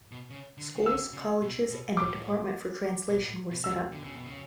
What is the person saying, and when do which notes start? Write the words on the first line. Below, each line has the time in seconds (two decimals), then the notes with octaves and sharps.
Schools, colleges and a Department for Translation were set up.
0.11 B2
0.30 C#3
0.58 D3
0.76 C#3
0.86 D3 E6
1.13 C#3
1.42 B2
1.70 B2
1.97 A2 D6
3.09 B2
3.23 A2
3.51 B2
3.64 C#3 E6
3.92 D3
4.04 C#3
4.15 B2
4.26 C#3